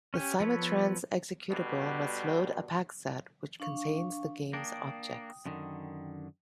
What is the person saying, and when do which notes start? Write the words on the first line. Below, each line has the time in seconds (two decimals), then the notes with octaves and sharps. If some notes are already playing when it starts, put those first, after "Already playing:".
The "Simutrans" executable must load a PakSet which contains the game's objects.
0.14 C#4 G4 G#5
0.40 F3 B3 A4 B4 C#5
1.50 B2 D3 G3
3.60 D4 F5 C#6
4.53 A#3 D4 G5 D#6
5.46 F#2 D3 D#3